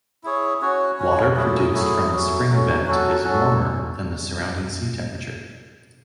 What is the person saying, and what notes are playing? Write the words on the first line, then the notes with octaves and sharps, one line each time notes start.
Water produced from the spring vent is warmer than the surrounding sea temperature.
E4 G#4 C#5
C#4 F#4 C#5
C#4 F#4 C#5
F#3 A3 E4 G#4
F#3 A3 E4 G#4
F#3 A3 C#4
F#3 A3 C#4
F#3 C#4 F#4 A4
F#3 C#4 F#4 A4